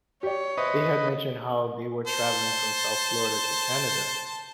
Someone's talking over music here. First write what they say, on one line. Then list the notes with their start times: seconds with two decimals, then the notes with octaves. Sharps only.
They had mentioned how they were traveling from South Florida to Canada.
0.23 G4 C#5 D5
0.58 B4 C5 D#5 E5
2.07 C5 A5